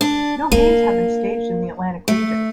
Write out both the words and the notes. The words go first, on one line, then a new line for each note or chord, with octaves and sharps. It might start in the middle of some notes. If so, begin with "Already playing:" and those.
No games have been staged in the Atlantic region.
D4
A#3
A3